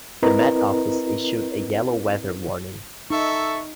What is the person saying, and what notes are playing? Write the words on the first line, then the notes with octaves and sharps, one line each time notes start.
The met office issued a yellow weather warning.
C4 E4 A#4 B4 D#5 A#5
D#4 A4 E5 C#6